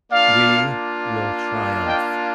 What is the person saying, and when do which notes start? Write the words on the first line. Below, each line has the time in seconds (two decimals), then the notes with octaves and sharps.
We will triumph.
0.11 A#3 D4 F4 D5 F5
1.85 D#5 G5